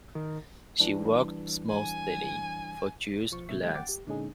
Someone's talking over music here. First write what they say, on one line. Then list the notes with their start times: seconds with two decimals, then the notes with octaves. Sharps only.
She worked mostly for Jewish clients.
0.15 D#3
0.80 E3 G3 D4
1.69 G#5
3.31 B1 F3 C#6
3.49 G#2 B2 D#3 G3 E5
3.62 D#3 F3 G3 A3
3.74 F#5 G5 D6 A6
3.89 G4
4.06 A#2 D3 G#3 C#4 D#4 G#4